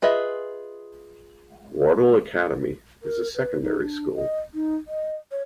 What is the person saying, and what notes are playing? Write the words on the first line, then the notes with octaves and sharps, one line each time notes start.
Wardle Academy is a secondary School.
F4 G#4 B4 D#5 E5
A#4
B4
D#4
D4
D#5
D#4
D#5
C#5